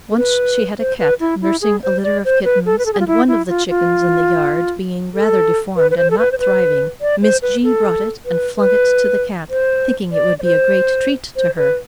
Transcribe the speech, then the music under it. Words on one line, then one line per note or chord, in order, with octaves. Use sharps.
Once she had a cat nursing a litter of kittens, and one of the chickens in the yard being rather deformed and not thriving, Miss G. brought it and flung it to the cat, thinking it would be a great treat to her.
A4
B4
C5
B4
E4
E4
G#4
C5
D5
C5
B4
A4
B4
A4
G#4
F4
E4
E4
F4
F4
A4
B4
B4
C5
A4
B4
C5
B4
D5
C5
B4
A4
B4
B4
C5
D5
D5
C5
C5
B4